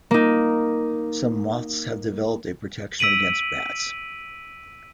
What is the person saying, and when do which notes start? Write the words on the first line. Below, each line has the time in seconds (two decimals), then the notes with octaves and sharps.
Some moths have developed a protection against bats.
0.11 A#3 D#4
2.99 E6 B6 D7 D#7 F#7